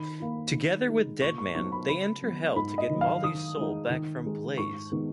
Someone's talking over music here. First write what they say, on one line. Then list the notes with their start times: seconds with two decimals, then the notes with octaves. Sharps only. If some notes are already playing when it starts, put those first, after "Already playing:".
Together with Deadman, they enter Hell to get Molly's soul back from Blaze.
Already playing: D#3 B5
0.20 A#3 D#4
0.54 D#3
0.88 G#3 D#4
1.21 A#2 C#6
1.38 C#6
1.55 F#3 B3 D#4 C#6
1.72 B5
1.89 C#3 B5
2.22 F#3 B3
2.56 G#2 B5
2.78 D#5
2.90 D#3 F#3
3.01 F5
3.24 D#3 D#6
3.57 G#3 D#4
3.90 D#3
4.25 G#3 D#4
4.58 G#2 C#6
4.92 D#3 G#3 B3 D#4